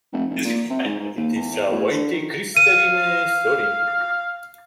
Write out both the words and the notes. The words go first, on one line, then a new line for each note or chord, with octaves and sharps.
It is a white crystalline solid.
F1
F1
A#2
C3
G#2
G#2
D#2
E2
A2
D3
D#3
F5 D#7